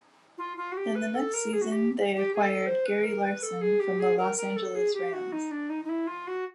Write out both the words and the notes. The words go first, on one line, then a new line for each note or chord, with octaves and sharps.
In the next season they acquired Gary Larsen from the Los Angeles Rams.
F4
F4
F#4
G4
B4
A4
A#4
G#4
F#4
G4
G4
G#4
A4
C5
B4
A#4
B4
A4
G#4
G4
G#4
A#4
A#4
A4
G#4
G4
F#4
D#4
D4
D#4
D#4
E4
F4
F#4